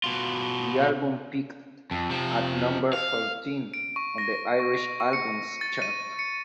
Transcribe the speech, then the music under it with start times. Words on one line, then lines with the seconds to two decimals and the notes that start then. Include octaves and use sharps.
The album peaked at number fourteen on the Irish Albums Chart.
0.04 B2 F4
1.91 F2
2.10 C3 F3
2.93 F5
3.74 D7
3.96 C#6
4.18 A#6
4.60 C#6
5.00 C#6
5.13 C#7
5.61 A6
5.82 D#7
6.19 C#7